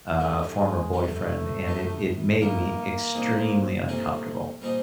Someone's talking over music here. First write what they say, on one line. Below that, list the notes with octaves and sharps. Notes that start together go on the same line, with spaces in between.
uh, former boyfriend, and it it made me extremely uncomfortable.
F#2 D#3 G3 A3 B3
G#3
F#2 D#3 G3 A3 B3
F#2 D#3 G3 B3
F#2 D#3 G3 A#3 B3
A#2 G3 C4 D#4 G#4
A#2 G3 A3 C4 D#4 G#4
A#2 G3 C4 D#4 G#4